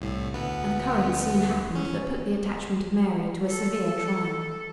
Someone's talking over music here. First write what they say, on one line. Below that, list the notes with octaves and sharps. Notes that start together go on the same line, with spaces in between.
An occurrence soon happened that put the attachment of Mary to a severe trial.
C2 A2
D2 B3
C#4
A4